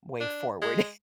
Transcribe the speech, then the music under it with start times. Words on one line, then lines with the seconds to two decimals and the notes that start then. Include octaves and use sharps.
way forward.
0.20 D4
0.61 G#3